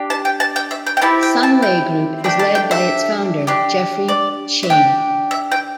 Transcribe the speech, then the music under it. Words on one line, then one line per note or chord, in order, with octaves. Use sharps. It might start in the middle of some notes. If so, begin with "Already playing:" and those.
Sunway Group is led by its founder, Jeffrey Cheah.
Already playing: D4 G4
A5
G5
A5
G5
E5
G5
G5
C4 E4 G4 A5
G5
A5
G5
A3 D4 G4 G5
A5
G5
E5
D4 G4
D5
E5
D4 G4 G5
E5
G5